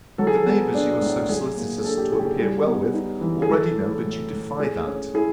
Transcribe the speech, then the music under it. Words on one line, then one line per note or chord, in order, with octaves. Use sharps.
The neighbours you are so solicitous to appear well with, already know, that you defy that.
F#3 A4
G#4
A4
B3
D4
A2
F#3 G#4
A#3
G#4
D4 A4
G4
C#3 G#4
G4
G#4
G3 G#4
B3
D#4
E3
G#4
F#3 A4
A3
A2
A2
A3 G#4
C#4
E4 G#4